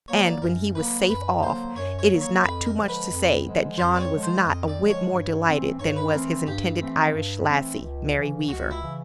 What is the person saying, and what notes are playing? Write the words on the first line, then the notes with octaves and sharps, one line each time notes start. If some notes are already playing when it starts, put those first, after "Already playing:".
And when he was safe off, it is not too much to say, that John was not a whit more delighted than was his intended Irish lassie, Mary Weaver.
D3 F#3 A#3 C#5
D5
F#2 A#4
D3 F#3 A#3 B4
F#2 B4
D3 F#3 A#3 C5
F#2 C#5
C#5
D3 F#3 A#3
C#5
F2 B4
A#4
D3 F3 G#3
B4
F2
D3 F3 G#3
F2 C5
D5
C#5
D3 F3 G#3
C5
F2 D#5
D5
D3 F3 G#3
C#5
G2
E3 A3 C4
G2 C#5
B4
E3 A3 C4 A#4
G2 G4
E3 A3 C4
G2
E3 A3 C4
C#2
C#3 E3
C#2 F#4
E4
C#3 E3